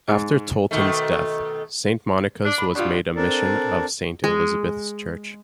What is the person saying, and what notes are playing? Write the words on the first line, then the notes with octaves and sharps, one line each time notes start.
After Tolton's death, Saint Monica's was made a mission of Saint Elizabeth's Church.
G#2
B2 D#3 A3
D4
B5
B2 G3 D4 F4
C4 D4 A4 A#4 D5
G#3